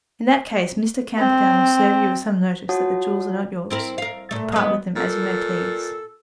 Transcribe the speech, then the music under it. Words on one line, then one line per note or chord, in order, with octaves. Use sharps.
"In that case Mr. Camperdown will serve you with some notice that the jewels are not yours,--to part with them as you may please."
C4
F4 F#4 C#5 F#5 A5 D#6
C4 E4 A#4
A#4 F5
A#2 A3
G#3 B3
A#2 A4 E6